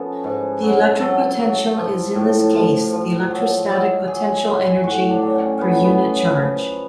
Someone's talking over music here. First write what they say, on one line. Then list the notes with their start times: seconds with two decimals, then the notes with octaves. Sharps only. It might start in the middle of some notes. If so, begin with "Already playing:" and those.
The electric potential is in this case the electrostatic potential energy per unit charge.
Already playing: F3 B3 C#4 A4
0.24 G#2
0.62 F#3
1.00 F#3 A4
1.39 F#3
1.77 F3
2.15 A2
2.54 F3
2.93 F3
3.31 F#3
3.69 F#3
4.07 F#3 G#4
4.45 F#3
4.84 A2 F#4
5.10 D4
5.22 F#3
5.35 C#4
5.61 A2 B3
5.84 B3
5.99 F#3
6.38 F3